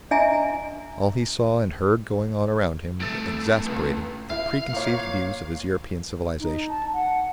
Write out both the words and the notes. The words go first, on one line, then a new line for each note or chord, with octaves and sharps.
All he saw and heard going on around him exasperated the preconceived views of his European civilization.
D4 D#5 E5 G#5 A#5
C2 A3 E6 A6 D7
C#2
E4 F5
A#2 C#5
D#4
A5
F#5